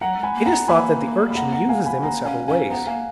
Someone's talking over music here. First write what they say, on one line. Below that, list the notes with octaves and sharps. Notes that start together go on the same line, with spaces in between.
It is thought that the Urchin uses them in several ways.
F#3 F#5 A#5
G#3
G#5 B5
A#3
F#5 A#5
B3
A#3 G#5 B5
B5
F#5 A#5
F#5 A#5
F5 G#5
G#5 B5
A#3 F#5 A#5
C#4 F5 G#5
C#4 F5 G#5
B3 F#5 A#5
A#3 F5 G#5